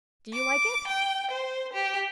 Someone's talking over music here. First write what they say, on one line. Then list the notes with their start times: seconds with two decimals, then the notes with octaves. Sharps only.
Do you like it?'
0.33 D6
0.87 G5
1.31 C5
1.73 G4